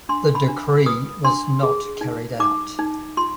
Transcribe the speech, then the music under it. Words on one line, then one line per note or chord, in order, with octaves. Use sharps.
The decree was not carried out.
D4 C6
B5
D4
B4 D#6
D4 C6
G#4
D#4
D#4 D6
D#4
F4 C6